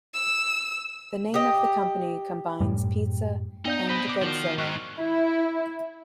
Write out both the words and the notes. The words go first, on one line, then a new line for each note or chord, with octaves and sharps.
The name of the company combines "pizza" and "Godzilla".
E6
G4 D#5
F#2 A2 G3
B3 D#4 D5 G6
B4 C5 D#5 B5
D6
D#3 F3 F4 F#4
G#2 C#6 F6 F#6
E4